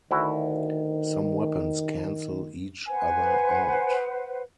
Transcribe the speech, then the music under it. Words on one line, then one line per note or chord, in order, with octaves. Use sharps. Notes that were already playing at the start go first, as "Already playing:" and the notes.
Some weapons cancel each other out.
D2 D#3 E4 F#4
B4 C5 F#5 G#5